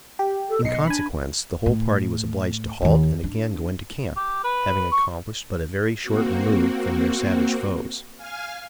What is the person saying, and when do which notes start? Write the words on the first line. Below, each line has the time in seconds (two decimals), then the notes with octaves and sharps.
In consequence, the whole party was obliged to halt and again go into camp, having accomplished but a very short remove from their savage foes.
0.19 G4
0.50 A4
0.64 B1 D#5 C7 C#7
0.87 D4 G#5 B5
1.66 A2
2.81 D#2 F4
3.23 D4
4.16 G4
4.44 B4
4.92 C#6
6.02 A#3 C4 F#4
8.17 F5 G#5 F6